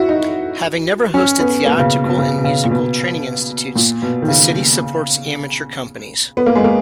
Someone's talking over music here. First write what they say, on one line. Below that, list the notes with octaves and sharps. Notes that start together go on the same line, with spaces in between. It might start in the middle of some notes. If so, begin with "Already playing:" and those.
Having never hosted theatrical and musical training institutes, the city supports amateur companies.
Already playing: E4 F#4
D#4
C#4
B3
A#3
B2
C#3
B2
C#3
B2
C#3
A#2
B2
A#2
B2
D#3
C#3
B3
A#3
G#3
A#3